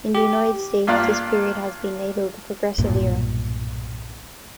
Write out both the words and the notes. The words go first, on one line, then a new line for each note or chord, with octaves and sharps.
In the United States, this period has been labelled the Progressive Era.
G4
G2 A#3 F4 D5 F#6
B1 G2 A#2